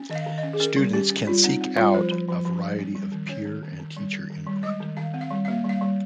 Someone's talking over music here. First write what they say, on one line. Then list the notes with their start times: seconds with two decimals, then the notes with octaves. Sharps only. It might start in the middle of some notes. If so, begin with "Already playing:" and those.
Students can seek out a variety of peer and teacher input.
Already playing: C#4
0.10 D#3 D#5
0.15 F5
0.26 D#3
0.38 D#5
0.43 C#4
0.53 G#4
0.60 C#4 A#4
0.76 G3
0.93 C#4 G4
1.10 C#4
1.27 G3 F4
1.44 C4 D#4
1.61 C4
1.77 G3 F4
1.94 F3 C5
2.11 F3
2.28 F3
2.45 F3
2.62 G3
2.79 C#4
2.95 G3
3.12 D#3
3.29 C#4 C#5
3.46 D#3
3.63 D#3
3.79 D#3
3.97 G3
4.13 D#3
4.30 D#3
4.47 G3
4.63 G#3 D#5
4.80 D#3
4.97 D#3 F5
5.14 C4
5.21 F5
5.31 G3
5.45 A#3 F5
5.64 G3 F5
5.81 G3